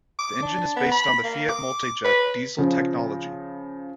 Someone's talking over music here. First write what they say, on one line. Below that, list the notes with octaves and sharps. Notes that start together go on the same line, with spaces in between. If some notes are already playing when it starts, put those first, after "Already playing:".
The engine is based on the Fiat Multijet diesel technology.
D6
D4
B3
B5
A#3
D6
B4
C#3 F3